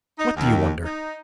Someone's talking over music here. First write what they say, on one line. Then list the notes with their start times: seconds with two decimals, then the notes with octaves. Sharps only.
"What do you wonder?"
0.18 D#4
0.36 D#2
0.84 D#4